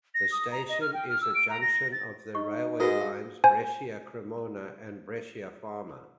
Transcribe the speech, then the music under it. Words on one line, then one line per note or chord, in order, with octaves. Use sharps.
The station is a junction of the railway lines Brescia-Cremona and Brescia-Parma.
A#6
D#6
A#5
D#5
F6
G5
F6
E6
D7
A#5
A#6
A6
D#4 C#6
G#2 F#4 G#4 A#4 B4 D#5
C5 G#5